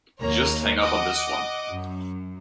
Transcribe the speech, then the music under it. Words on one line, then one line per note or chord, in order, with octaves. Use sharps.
Just hang up on this one.
D#2 A#3 C#5 A#5
D#5 F#5 D6
F#2